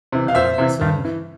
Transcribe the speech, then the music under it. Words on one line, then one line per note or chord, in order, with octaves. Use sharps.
uh, my son
C3 E3
F5
F2 C5 E5
C3 E3
G2
E3